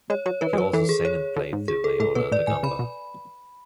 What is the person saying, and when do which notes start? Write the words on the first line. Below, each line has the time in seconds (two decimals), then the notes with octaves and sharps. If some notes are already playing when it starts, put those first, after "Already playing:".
He also sang and played the viola da gamba.
0.10 G#3 C#5
0.26 F#3 C#5
0.41 E3 B4
0.53 G#3
0.57 F#3 B4
0.73 E3 A4
0.89 G#4
1.05 C#5
1.36 D3
1.53 G#2
1.68 G#4
1.84 A4
2.00 A2 A4
2.15 B2 B4
2.32 A2 D5
2.47 A2 G#5
2.63 C#3 B5
2.79 B2